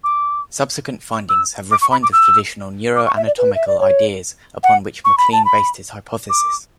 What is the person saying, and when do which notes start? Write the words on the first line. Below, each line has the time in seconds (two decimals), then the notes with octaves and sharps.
Subsequent findings have refined the traditional neuroanatomical ideas upon which MacLean based his hypothesis.
0.04 D6
1.29 E6
1.71 D6
1.81 C#6
1.91 B5
2.03 D6
2.13 E6
2.96 D6
3.06 C#6
3.17 E5
3.27 D5
3.38 B4
3.55 E5
3.67 D5
3.80 C#5
4.63 F#5
5.05 C#6
5.18 B5
5.32 A5
5.45 B5
6.30 D6